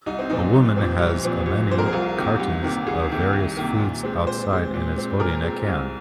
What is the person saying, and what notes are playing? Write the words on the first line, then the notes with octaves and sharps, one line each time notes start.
A woman has a many cartons of various foods outside and is holding a can.
C2 D#4
C4
A#2 F3 C4 D#4
C2
A#2 F3 C4
C2
A#2 F3 C4
C2
A#2 F3 C4 C5
A#4
G#4
C2 F4
C3 D#3 A#3
C2
C3 D#3 A#3
C2 G#4
C3 D#3 A#3
C2
C3 D#3 A#3
A#2
G#3 C4
A#2 C5
G#3 C4
A#2
G#3 C4
A#2 A#4
G#3 C4
C2